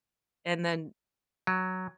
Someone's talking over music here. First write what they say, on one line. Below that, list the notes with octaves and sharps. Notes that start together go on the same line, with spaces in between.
and then
F#3